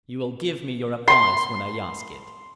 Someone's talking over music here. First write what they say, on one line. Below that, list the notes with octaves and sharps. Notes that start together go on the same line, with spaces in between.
You will give me your advice when I ask it.
C6